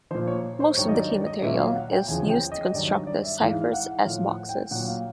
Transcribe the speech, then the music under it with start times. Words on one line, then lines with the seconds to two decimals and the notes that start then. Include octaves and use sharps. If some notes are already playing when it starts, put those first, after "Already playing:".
Most of the key material is used to construct the cipher's S-boxes.
0.11 F3 C5
0.15 A#2
0.27 C#5
0.60 C5
0.77 G2 D#3 F#3 C#5
0.89 D#5
0.94 D5
1.09 D5
1.26 D#5
1.43 A#2 E5
1.47 F#3
1.59 F5
1.75 F#5
1.92 G5
2.08 E2 C#3 F3 G#5
2.30 G5
2.52 D#5
2.74 G2 D#3 F#3 D5
2.91 C#5
3.07 D5
3.23 E5
3.40 G#2 E3 F5
3.62 F5
3.73 F#5
4.05 A2 F3 F5
4.28 F#5
4.49 G5
4.71 A#2 F#5
4.75 F#3
4.87 F5